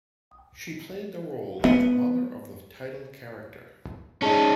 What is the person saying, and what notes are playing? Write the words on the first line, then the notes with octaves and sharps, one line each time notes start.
She played the role of the mother of the title character.
B3
C#4 D#4 G#4 A5